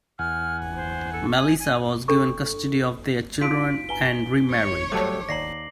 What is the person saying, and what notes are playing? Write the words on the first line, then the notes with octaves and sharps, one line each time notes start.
Melissa was given custody of their children and remarried.
E2 F#5 G#5 F6
C5
A4
G#5
G#5
D4 A4 B5 C#6
D#4 F4 F#4 B6 D7
B4 G#5 A#5 G7
C#5
F#3 G3 A3 C5 A5 D6
D#2 D5 A#5 A#6 C7 F#7